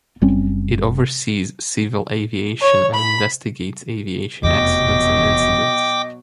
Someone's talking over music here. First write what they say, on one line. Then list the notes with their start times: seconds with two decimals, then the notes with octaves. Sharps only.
It oversees civil aviation and investigates aviation accidents and incidents.
0.21 F#1 G3 C4 C#4
2.61 C#5
2.94 B5
4.43 F1 E2 B2 F#3 D#5 G5 D6